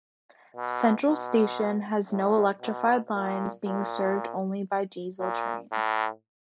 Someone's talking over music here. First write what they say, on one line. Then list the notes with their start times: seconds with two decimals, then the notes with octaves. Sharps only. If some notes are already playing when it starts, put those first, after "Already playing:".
Central station has no electrified lines being served only by diesel trains.
0.56 B2
1.08 B2
2.11 A2
2.62 B2
3.14 A#2
3.65 A#2
5.20 A#2
5.72 A2